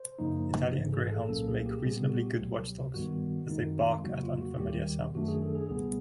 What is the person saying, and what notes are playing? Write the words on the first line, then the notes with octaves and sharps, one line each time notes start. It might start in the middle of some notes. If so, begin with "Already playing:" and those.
Italian Greyhounds make reasonably good watchdogs, as they bark at unfamiliar sounds.
Already playing: C5
F#2 C#3 F3 A#3 D#4
G#1 G#2 E3
G#4
A4
C2 A#2 F#3 A#3 C#4 A4
G#4
G4
A#2 G3 B3 G#4
G4
F#4
G4
C#2 B2 F#3
G2 D#3 G3 B3 F#4
F#2 D#3 G#3 C4 D#4
F2 C#3 F#3 A#3 F#4
F4
F#4
D#2 D#3 G3 G4
F#2 D#3 F#3 A3 D4 F#4
G#4
A4
G#4
C#2 B2 G3 B3 G#4